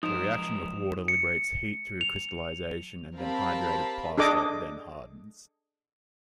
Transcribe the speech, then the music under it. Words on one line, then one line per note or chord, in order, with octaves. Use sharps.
The reaction with water liberates heat through crystallization and the hydrated plaster then hardens.
C#2 F3 F#3 D#4 A#4 D#6 E7
C#7
F7
C4 G4 A#4 F5 A5 B5
D4 G#4 A4 D#5 D6